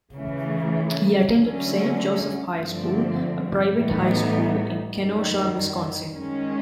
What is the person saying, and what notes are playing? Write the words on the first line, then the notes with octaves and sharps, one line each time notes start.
He attended Saint Joseph High School, a private high school in Kenosha, Wisconsin.
C#3 E3 A3
D3 F#3 A3 C#4
G2 D3 F3 A3 C4
A2 E3 G3 B3 D#4
F#2 D#3 G3
D#3 G#3 C#4